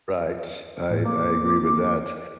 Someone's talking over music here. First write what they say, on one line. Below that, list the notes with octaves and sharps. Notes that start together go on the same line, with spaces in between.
Right, I I agree with that,
A2
A#3 D6